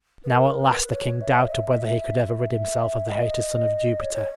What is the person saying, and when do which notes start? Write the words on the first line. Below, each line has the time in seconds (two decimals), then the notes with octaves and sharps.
Now at last the king doubted whether he could ever rid himself of the hated son of Jupiter.
0.24 B4
0.28 A#4
0.59 B4
0.90 C#5
1.22 E5
1.47 D#5
1.52 E5
1.73 D#5
1.83 E5
3.07 D#5
4.00 C#5
4.13 C#5